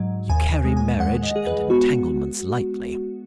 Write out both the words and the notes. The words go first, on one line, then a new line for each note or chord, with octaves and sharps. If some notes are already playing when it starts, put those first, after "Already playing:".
You carry marriage and entanglements lightly.
Already playing: G#2 F#3
D#2 G#5
G#3
G#5
D#2 F#5
D#5
G#3 G#4
B4
B3 F#4